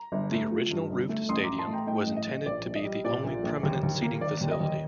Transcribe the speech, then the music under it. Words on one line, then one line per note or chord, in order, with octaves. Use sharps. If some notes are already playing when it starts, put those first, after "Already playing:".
The original roofed stadium was intended to be the only permanent seating facility.
Already playing: A#5
G1
A3
F3
G2
G1
A3
A1 C6 D#6
A1 A#5 D6
A5 C6
A3
G5 A#5
A2 D#5 G5
A1
D#5
A1
A#1 D5
A#1
D#5
G3
A#2 D5
A#1
A#1
D#2
D#2
A#3
D#3 D5
D#2
D#5
D#2